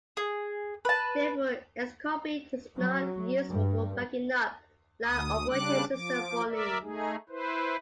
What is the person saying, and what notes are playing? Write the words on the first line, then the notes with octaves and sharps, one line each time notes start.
Therefore, Xcopy is not useful for backing up live operating system volumes.
G#4
B4 A5
F#3
G2
D2 D#6
C#3 G3 D4 D6 F#6
F3 D6
A#4 D5 E5
A3 D#4 G#4
E4 B4 C5